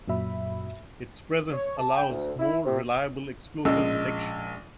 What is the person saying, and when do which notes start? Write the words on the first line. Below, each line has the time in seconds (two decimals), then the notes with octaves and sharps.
Its presence allows more reliable explosive detection.
0.08 F#2 A#2 F#3 E5 B5
1.53 C#5
1.77 A5
1.96 G5
2.09 D2
2.39 E4
2.65 C3
3.65 A#1 G#3 C#4 E6